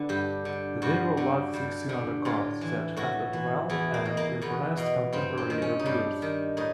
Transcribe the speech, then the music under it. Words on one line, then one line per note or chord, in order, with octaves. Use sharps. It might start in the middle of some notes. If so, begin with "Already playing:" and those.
They were large six-cylinder cars that handled well and impressed contemporary reviewers.
Already playing: D3 B4
G2 G4
D3
G2 F#4
D3
G2
D3
A2 F4
E3
A2 F#4
E3
E2 E4
A#3
B2
A#3
E2 B3
B2
G2 C4
C4
D#3
C#4
D#4
G2 D4
D#3
A2 D#4